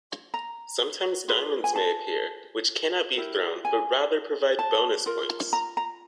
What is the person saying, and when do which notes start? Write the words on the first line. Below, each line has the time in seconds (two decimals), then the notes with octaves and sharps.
Sometimes diamonds may appear, which cannot be thrown but rather provide bonus points.
0.34 A#5
1.28 F4 G#4 B4
1.64 G#5
1.76 A5
3.17 E4 G4 A#4
3.65 G#5
4.59 A5
5.06 F4 A#4
5.53 A#5
5.77 A#5